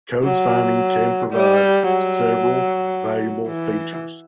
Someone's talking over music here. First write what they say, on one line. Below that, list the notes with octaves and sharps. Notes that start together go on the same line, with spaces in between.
Code signing can provide several valuable features.
F#3
G3
F#3
E3